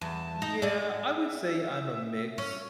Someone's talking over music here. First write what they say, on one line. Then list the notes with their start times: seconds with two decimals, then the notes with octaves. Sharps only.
Yeah, I would say I'm a mix.
0.01 E2 A5
0.42 D#4
0.62 G#4 D5 E5
2.38 C#4